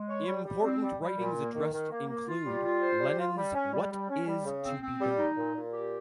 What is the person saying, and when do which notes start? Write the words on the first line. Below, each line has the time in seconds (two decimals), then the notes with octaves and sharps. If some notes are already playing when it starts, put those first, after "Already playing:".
Important writings addressed include Lenin's What Is to Be Done?
Already playing: G#3
0.09 C#5
0.27 G3
0.45 G3
0.64 C4
0.82 G3
1.00 G3
1.18 A#2
1.37 A#3
1.55 D#3
1.73 D#3
1.91 A#3
2.09 A#3
2.27 F4
2.46 G3
2.64 F4
2.82 C5
3.00 G3
3.18 F4
3.37 G3
3.55 C#4
3.73 G3
3.91 G3
4.09 C#4
4.27 G3
4.45 C#3
4.64 C4
4.83 C4
5.00 G3
5.19 D#4
5.36 A#2
5.55 A#2
5.73 G4